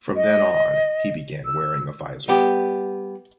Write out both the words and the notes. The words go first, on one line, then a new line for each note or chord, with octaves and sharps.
From then on, he began wearing a visor.
D#5
E6
G3 B3 G4